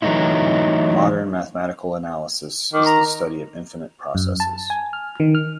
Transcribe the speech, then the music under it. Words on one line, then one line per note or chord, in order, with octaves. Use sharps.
Modern mathematical analysis is the study of infinite processes.
E3 F#3 G#3 A3 D#4 E4
D#3 D6
A#5
F#2
A5
G#5
F6
D#3
F6